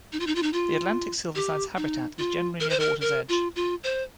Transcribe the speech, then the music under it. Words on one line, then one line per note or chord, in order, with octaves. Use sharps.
The Atlantic silverside's habitat is generally near the water's edge.
D#4
F4
D#4
F4
D#4
F4
G4
D#4
F4
A#4
C5
A#4
A#4
F4
F4
C5